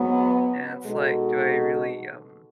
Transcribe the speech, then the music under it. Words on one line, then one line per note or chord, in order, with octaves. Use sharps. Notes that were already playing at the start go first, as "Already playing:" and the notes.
And, it's like, do I really, um,
Already playing: G#2 F#3 B3
B2 G#3 D#4 F#4 A4